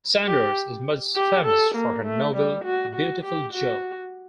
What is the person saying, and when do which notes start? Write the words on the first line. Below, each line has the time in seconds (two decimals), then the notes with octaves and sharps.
Saunders is most famous for her novel "Beautiful Joe".
0.27 G4
1.16 G4
1.46 A4
1.75 A#3
2.05 A3
2.35 G3
2.65 F#4
2.94 F#4
3.24 G4
3.53 F#4